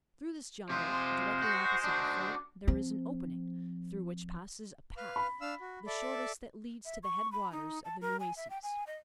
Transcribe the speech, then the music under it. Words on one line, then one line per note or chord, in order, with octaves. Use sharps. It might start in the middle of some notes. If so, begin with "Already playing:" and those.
Through this jungle, directly opposite the Fort, there is an opening, through which passes a path--the shortest that leads to the head waters of the Nueces.
C3 G#3 F4 C5
F#4
D4 F#4
F3 C4
B4 F5
B5
D4 F5 E6
F#4
A4 D5 E5
E5
C#6
B5
D#4
A5
A#4
G#5
E5
G5
G#5
D#5